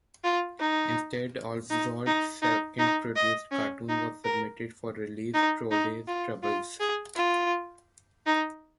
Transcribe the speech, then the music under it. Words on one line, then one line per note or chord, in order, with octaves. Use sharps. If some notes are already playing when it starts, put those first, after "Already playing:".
Instead, Oswald's second-produced cartoon was submitted for release: "Trolley Troubles".
F4
D#4
D#4
D#4
D#4
D#4
D#5
C#4
D#4
A#4
D#4
D#4
F4
F4
G#4
F4
D#4